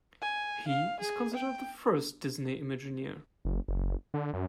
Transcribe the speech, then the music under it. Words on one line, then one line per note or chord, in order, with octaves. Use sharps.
He is considered the first Disney Imagineer.
G#5
F5
G#4
G5
F#1
F#1
D3
F#2